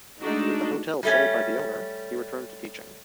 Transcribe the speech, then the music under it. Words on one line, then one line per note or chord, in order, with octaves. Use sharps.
With the hotel sold by the owner, he returned to teaching.
G#3 A3 D4 D#4 F#4
G3 A3 C#4